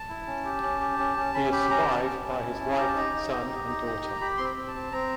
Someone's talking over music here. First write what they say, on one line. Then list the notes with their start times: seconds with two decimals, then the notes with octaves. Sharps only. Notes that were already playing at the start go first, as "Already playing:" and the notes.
He is survived by his wife, son and daughter.
Already playing: A5
0.09 E4
0.27 C#4
0.45 G4
0.63 C#4
0.81 G4
0.99 C#4
1.17 C#4
1.34 C#4 B5
1.52 G4 B5
1.70 C#4 A#5
1.88 C#4 A5
2.06 C#4
2.24 C#4
2.42 E4
2.60 C#4
2.78 G4 A#5
2.88 A5
2.95 D#4 A#5
3.13 D#4
3.31 G4
3.50 G4
3.67 D#4
3.85 G4
4.03 G4
4.21 G4 B5
4.37 C4 C6
4.45 B5
4.56 C4
4.68 A5
4.75 C4
4.92 C4 A#5